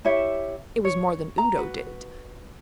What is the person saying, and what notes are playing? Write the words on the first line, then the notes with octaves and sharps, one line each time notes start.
It was more than Udo did.
E4 G4 C#5 E5
C#5
A#5
F#4 B4